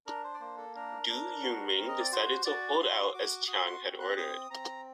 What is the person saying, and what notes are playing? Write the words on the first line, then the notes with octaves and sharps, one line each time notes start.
Du Yuming decided to hold out as Chiang had ordered.
D4 A#4
C5
D5
A#3 C5
A4
D4 A#4
D4 A#4
F#4
C4
D#5
D5
F#4 C5
F#4 D5
F#4 C6
F#4 D6
F#4 D#6
C6
C4
F#6
C4 D#6
C4 A#5